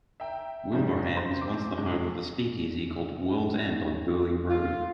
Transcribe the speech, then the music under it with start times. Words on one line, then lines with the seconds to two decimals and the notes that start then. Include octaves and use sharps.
Wilbraham was once the home of a speakeasy called "Worlds End" on Burleigh Road.
0.20 E5 G5 A#5
0.72 G#2 C#3 F3 G3
1.15 C5 C6
1.41 C4 D6
1.77 C3 G#3
4.50 F4